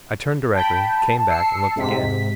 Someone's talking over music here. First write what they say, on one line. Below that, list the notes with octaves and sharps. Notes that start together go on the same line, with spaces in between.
I turned directly, came back, and looked again.
G5 A5 B5
E6 C7 C#7
G#2 C3 B6